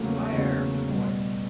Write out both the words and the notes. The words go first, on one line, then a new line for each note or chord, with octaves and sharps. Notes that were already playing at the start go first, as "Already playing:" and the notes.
"Fire!" said the voice.
Already playing: E2 C#3 F#3 A3 A#3
A3
E2 C#3 F#3
B2 G3